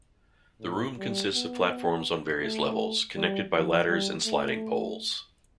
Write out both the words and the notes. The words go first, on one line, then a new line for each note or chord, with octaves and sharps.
The rooms consist of platforms on various levels, connected by ladders and sliding poles.
A2
G3
B3
A3
G3
F3
G3
A3